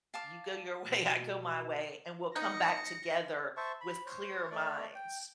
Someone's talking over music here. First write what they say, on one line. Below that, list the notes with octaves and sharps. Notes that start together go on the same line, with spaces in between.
you go your way, I go my way, and we'll come back together with clearer minds."
F5 A5 D6
B2
B3 D#4 A#6 C#7
C5 E5 A5 C#6
B5
C5 C#5
A3 D5
G5